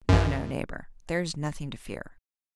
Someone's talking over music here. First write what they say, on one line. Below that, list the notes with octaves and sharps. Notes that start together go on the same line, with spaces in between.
No, no, neighbor, there's nothing to fear!
A1 F#2